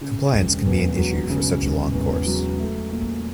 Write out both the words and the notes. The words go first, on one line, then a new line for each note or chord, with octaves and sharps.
Compliance can be an issue for such a long course.
C#3
E1
E2
F#3
C#3
E1
E2
F#3
A3
A#2